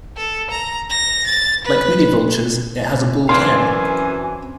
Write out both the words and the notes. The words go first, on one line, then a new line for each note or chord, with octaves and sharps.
Like many vultures, it has a bald head.
A4
A#5
A#6
A6
B4
F#2 E3 C4 D4 F5 G#5 C6